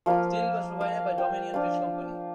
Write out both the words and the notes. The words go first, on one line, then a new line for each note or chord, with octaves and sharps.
Steel was provided by Dominion Bridge Company.
F3 A#3 F4 F5
F5
G5
F3 D4 F4 F5